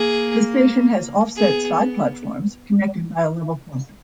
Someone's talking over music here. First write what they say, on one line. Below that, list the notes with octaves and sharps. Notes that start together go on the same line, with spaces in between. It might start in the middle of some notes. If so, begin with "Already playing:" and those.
The station has offset side platforms connected by a level crossing.
Already playing: A#3 G#4
B3 G#4